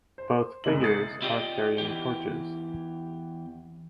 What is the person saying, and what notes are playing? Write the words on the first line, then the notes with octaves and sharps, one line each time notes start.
Both figures are carrying torches.
C5
F#1 C2 G#3 D#5 F#7
D#6 A6 C7 C#7
E4 F4 G4 D5 D#5
E2 E3 G4